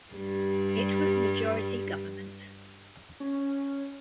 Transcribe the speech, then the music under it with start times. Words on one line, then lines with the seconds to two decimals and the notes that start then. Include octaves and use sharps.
It was Majority government.
0.13 G2 G3
3.20 C#4